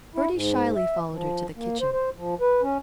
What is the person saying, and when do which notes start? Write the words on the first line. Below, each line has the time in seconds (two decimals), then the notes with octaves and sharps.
Bertie shyly followed her to the kitchen.
0.15 E4
0.31 G#2
0.75 E5
1.12 F3
1.56 A#3
1.80 C5
1.93 C5
2.16 F3
2.40 B4
2.62 C#4